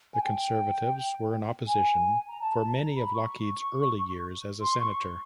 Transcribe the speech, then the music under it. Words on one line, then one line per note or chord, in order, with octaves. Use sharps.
The Conservatives were in opposition for many of Lougheed's early years as a senator.
G#5
G5
G#5
A#5
A5
A5
A#5
B5
C#6
C6
C#6